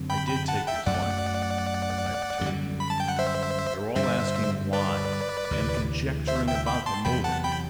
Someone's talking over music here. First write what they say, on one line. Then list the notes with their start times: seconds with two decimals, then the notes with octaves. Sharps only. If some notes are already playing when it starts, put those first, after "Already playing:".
I did take his life, as I've told you. You are all asking why, and conjecturing about the motive.
Already playing: F#2 D3 F#3 C4
0.10 G5 B5
0.28 G5 B5
0.48 F#5 A5
0.67 E5 G5
0.86 F#2 F#3 A3 D5 F#5
2.41 F#2 D3 G3
2.80 B5
2.90 A5
3.00 G5
3.08 F#5
3.19 C5 E5
3.96 G2 D3 G3 C5 E5
4.73 B4 D5
5.51 D2 C3 E3
6.28 C5 E5
6.47 E5 G5
6.66 G5 B5
6.86 A5 C6
7.05 E2 C3 F#3 G5 B5
7.24 F#5 A5
7.44 G5 B5